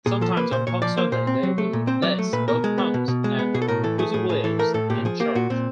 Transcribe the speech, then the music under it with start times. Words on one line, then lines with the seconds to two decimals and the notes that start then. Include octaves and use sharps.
Sometimes, on Palm Sunday they will bless both palms and pussywillows in church.
0.06 A#2 G#4
0.21 F3 A4
0.37 A#3 B4
0.51 A#2 C5
0.67 A#2 C#5
0.82 F3 D5
0.97 A#3 C5
1.12 A#2 C5
1.27 C4
1.43 F#3
1.58 A3
1.73 A#2
1.87 C4 C5
2.02 F#3 D5
2.19 A3
2.33 A#2 B4
2.48 B2 A#4
2.64 G#3
2.78 B3
2.94 B2
3.08 B2
3.24 G#3
3.39 B3
3.54 B2 G#4
3.62 A4
3.68 A2 A#4
3.84 E3 A4
3.99 A3 G#4
4.14 A2 G#4
4.29 A2 G#4
4.44 E3 A4
4.59 A3 A#4
4.74 A2 A4
4.90 A#2 G4
5.05 F3 G#4
5.20 A#3 G4
5.35 A#2 F#4
5.50 A#2 C4